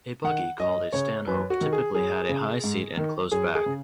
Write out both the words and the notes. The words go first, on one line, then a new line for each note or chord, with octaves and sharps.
A buggy called a stanhope typically had a high seat and closed back.
D#3 F#5
F#2 D#5
C#3 C#5
F#2 B4
F#4
D#3
G#4
F#2 G#4
C#3
G#2
D#3
F#2 G#4
G#4
C#3